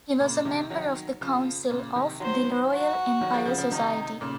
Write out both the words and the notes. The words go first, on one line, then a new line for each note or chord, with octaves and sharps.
He was a member of the Council of the Royal Empire Society.
A#2 C#3
C3 D#3
D#3 F#3
C#3 F3
A#2 C#3
C3 D#3
D#3 F#3 C5
F#4
D#3 F#3
F3 G#3
C#3 F3
C#3 F3
C3 D#3 D#4
A#2 C#3